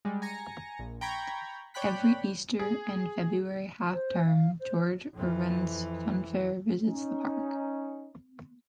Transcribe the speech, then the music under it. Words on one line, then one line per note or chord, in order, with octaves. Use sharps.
Every Easter and February half-term George Irvin's Funfair visits the park.
G3 G#3
G#5 A#5 A#6 C#7
A#1
G5 A#5 B5 C#6 G#6
C#5 D5 G5 B5 F#6 B6
G#4
C5
F5
C5
F2 E3
C#4 D#4